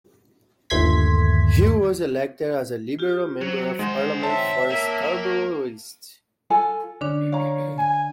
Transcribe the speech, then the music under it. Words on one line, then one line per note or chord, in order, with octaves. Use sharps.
He was elected as the Liberal Member of Parliament for Scarborough East.
G1 D#2 A3 C6 G#6 B6
F4 G4
F#3 C5
D#3 G#3 C5 F#5
C#5 E5 G5 A5
A#3
A#3
F4 A4 G#5
D3 C#4 D4
C#5 F5 A#5
G#5